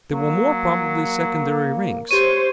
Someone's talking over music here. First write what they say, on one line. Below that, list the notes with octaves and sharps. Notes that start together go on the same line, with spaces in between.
They were more probably secondary rings.
F#3 A#3
G4 C5 C#5 D#7